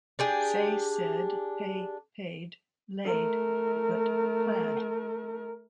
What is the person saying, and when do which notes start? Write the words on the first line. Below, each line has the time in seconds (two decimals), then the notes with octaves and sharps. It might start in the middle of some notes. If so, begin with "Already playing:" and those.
Say—said, pay—paid, laid, but plaid.
0.19 D4 G4 G#4
3.05 A3 A#4